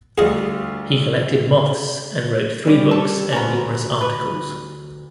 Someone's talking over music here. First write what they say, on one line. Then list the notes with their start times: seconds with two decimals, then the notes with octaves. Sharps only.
He collected moths and wrote three books and numerous articles.
0.18 D2 G3 F4 G#4 D#5
2.65 G3 C#4 G4
2.91 A4
3.32 D2 B3 C#4 A#5
4.01 B4